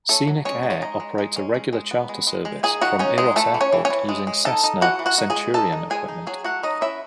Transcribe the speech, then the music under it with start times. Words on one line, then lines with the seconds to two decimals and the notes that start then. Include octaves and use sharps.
Scenic-Air operates a regular charter service from Eros Airport, using Cessna Centurion equipment.
0.09 A3 C#4 A4
0.27 F#3
0.45 G#3 C#4 C#5
0.63 G#3
0.70 C#5
0.81 G#3 D#4 D#5
1.00 G#3
1.18 G#3
1.36 C#4
1.54 G#3
1.73 G#3
1.91 B3
2.09 G#3
2.27 G#3
2.45 G#3
2.63 D#3 G#4 G#5
2.81 D#3 F#4 F#5
2.99 C#4 D#4 C#5
3.18 G#3 D#4 G#4
3.36 E3 A3 A4
3.54 E3
3.61 C#4 C#5
3.72 E3
3.85 C#4 C#5
3.90 E3
4.09 G#3
4.27 G#3
4.45 D#4 A4 A5
4.64 D#4
4.81 E3 F#4 F#5
4.99 E3
5.06 F#4 F#5
5.18 D#4
5.30 G#4 G#5
5.36 G#3
5.54 D#4 A4 A5
5.72 D#4
5.90 G#3 G#4 G#5
6.08 D#4
6.27 F#3 G#4 G#5
6.44 A3 F#4 F#5
6.63 F#3 D#4 D#5
6.81 C#4 E4 E5